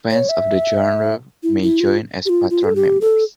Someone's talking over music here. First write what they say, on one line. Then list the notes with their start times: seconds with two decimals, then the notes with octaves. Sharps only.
Fans of the genre may join as patron members.
0.10 C#5
0.29 E5
1.43 E4
1.62 E4
1.80 F4
2.26 G4
2.29 F4
2.50 F4
2.64 A4
2.75 G4
3.01 A4